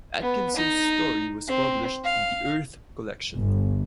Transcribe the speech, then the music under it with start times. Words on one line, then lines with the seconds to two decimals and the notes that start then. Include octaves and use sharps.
Atkinson's story was published in the "Earth" collection.
0.22 B3
0.56 D#4
1.48 C4
2.04 F5
3.35 G1